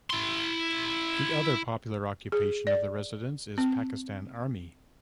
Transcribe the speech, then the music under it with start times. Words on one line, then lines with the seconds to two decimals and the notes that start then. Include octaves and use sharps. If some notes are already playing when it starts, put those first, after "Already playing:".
The other popular occupation of the residents is Pakistan Army.
0.10 E4 C6
2.32 G#4
2.67 D5
3.58 C4